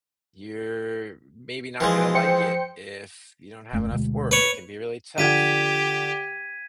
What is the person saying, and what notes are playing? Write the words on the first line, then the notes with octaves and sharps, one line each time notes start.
you're maybe not gonna like it. If you don't have enough work, it can be really tough."
E3 F3 G#3
C5 G5 C#7
E1 F#2 A3
D2 B2 G#3
B4 C#5
D3 F3 G4 G#6 B6 D#7